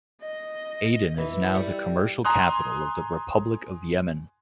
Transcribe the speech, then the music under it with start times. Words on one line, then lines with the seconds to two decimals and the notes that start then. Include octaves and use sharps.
Aden is now the commercial capital of the Republic of Yemen.
0.21 D#5
1.18 E3 E5
1.55 G3
2.25 G#5 A#5 C6 D#6 F#6